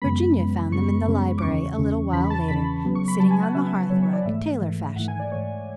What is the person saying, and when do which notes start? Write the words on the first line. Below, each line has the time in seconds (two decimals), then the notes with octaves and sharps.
Virginia found them in the library, a little while later, sitting on the hearth-rug, tailor-fashion.
0.02 F#2 C#3 G#3 B3 B5
0.36 F#2 C#3 G#3 B3
0.72 F#2 C#3 G#3 B3 C#6
1.08 F#2 C#3 G#3 B3
1.38 D6
1.42 E2 C#3 E3 C#6
1.78 E2 C#3 E3
2.13 E2 C#3 E3 B5
2.30 A5
2.48 E2 C#3 E3 B5
2.84 C#3 F#3 B3
2.95 C#6
3.08 B5
3.19 C#3 F#3 B3 A5
3.31 G#5
3.43 F#5
3.55 C#3 F#3 B3 E5
3.90 C#3 F#3 B3 C#5
4.03 C#5
4.13 D5
4.25 G#2 E3 A3 E5
4.61 G#2 E3 A3
4.96 G#2 E3 A3 F#5
5.08 G#5
5.19 D5
5.32 G#2 E3 A3 C#5